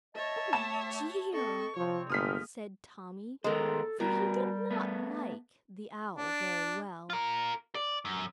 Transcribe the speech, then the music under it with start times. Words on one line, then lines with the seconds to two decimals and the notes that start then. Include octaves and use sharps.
"Oh, dear!" said Tommy, for he did not like the Owl very well.
0.15 C#5 D#5 E5 A5
0.53 A3 G4 A5 E7
1.32 C4 A4 D#5 C#6
1.77 C3 F3 C4 C#5
2.10 G1 G#3 A#3 D#6 F6 B6
3.44 D#3 G#3 B3 A4 A#4 C5
4.00 G3 B3 F#4 G4 A#4
4.71 A3 B3
6.15 D4
7.10 F4 A#4
7.75 D5
8.05 F#2